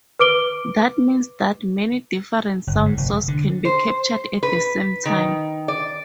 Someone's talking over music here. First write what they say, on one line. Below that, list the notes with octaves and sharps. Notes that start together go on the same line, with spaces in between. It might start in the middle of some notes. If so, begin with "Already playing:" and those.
That means that many different sound sources can be captured at the same time.
B4 D6 D7 G7
G1
G#2
F1
D3
C5
B4
D#3
D5